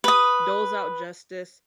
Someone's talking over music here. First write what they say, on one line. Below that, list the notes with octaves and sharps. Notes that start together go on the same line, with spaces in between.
doles out justice,
B4 D#6